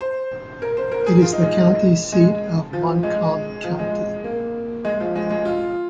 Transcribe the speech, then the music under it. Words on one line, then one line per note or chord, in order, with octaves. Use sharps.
It is the county seat of Montcalm County.
C5
A#4
C5
A#4
G#4
F4
D#4
G#3
G#3
F3
G#3
F3
G#3
A#3
G#3
F3
G#3
G#3
F4